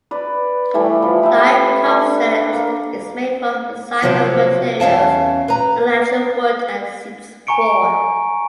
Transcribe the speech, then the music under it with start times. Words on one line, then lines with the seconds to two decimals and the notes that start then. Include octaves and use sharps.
Life concept is made from recycle materials and natural wood and seats four.
0.11 B4 D5
0.74 E3 G3 A3 E4
1.02 F3
1.22 G4 B4 C5 E5
1.86 D4
2.53 A#3
4.02 C3 F3 F#3 B3 C4
4.80 E2 C#4 F5 A5
5.48 B4 A#5
7.47 G#5 A#5 C#6 C#7 D7